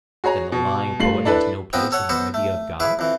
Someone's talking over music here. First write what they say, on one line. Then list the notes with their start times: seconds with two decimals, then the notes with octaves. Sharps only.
Then the lying poet has no place in our idea of God?
0.24 F#4 G#4 C#5 A#5
0.52 B2
1.00 G2 A3 F4 C7 F#7
1.25 D4 E4 A4 B4
1.73 F3 B3 C4 D#5 G5
1.92 A4 C#5 F#5
2.09 B3 F#4 A4 C5
2.34 A3
2.80 E4 G#4 B4
2.99 F2 E3